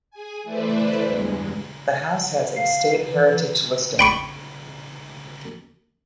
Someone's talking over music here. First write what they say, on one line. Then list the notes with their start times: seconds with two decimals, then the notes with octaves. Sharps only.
The house has a state heritage listing.
0.11 G#4 G#5
0.44 E3 A3 B4 C5 D5 E5
1.06 E2 G2 G#3
2.56 F5
3.13 E3
3.99 G5 B5 C#6